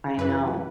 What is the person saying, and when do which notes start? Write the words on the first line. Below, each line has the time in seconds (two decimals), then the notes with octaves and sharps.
I know.
0.18 F#2 E3 B4